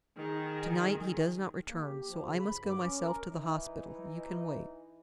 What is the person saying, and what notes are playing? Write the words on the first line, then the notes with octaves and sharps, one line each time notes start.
"To-night he does not return, so I must go myself to the hospital--you can wait."
D#3 G#4
A#3
G4
F3
C#3
B5
G2
D6
C#4
A#4
E3 D#4